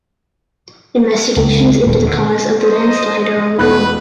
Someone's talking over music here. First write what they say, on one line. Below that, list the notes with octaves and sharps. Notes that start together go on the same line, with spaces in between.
Investigations into the cause of the landslide are ongoing.
C#2
D#1
D3
C5 D#5
E1 B2 B4 B5 F#6